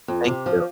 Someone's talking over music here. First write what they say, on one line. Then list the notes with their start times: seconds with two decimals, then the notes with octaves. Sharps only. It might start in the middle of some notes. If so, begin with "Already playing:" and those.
Thank you.
0.08 F2
0.27 C3
0.46 F3